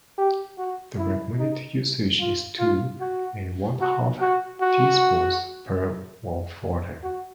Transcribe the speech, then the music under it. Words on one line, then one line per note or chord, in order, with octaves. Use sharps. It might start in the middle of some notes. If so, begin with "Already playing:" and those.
The recommended usage is two and one-half teaspoons per of water.
G4
F#4
E4
D#4
F4
F4
F#4
F#4
F#4
F#4
F#4